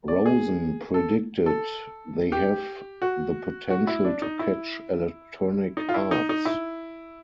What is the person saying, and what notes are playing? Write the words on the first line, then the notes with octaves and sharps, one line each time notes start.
Rosen predicted "they have the potential to catch Electronic Arts".
D5
G#4
A4
A4
G4
F#4
F#4
E4
D4
D#4
E4
D#4
F4
E4
D#4
D#4
E4